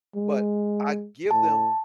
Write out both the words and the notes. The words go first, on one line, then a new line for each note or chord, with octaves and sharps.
but I give them
G#3
A2 A5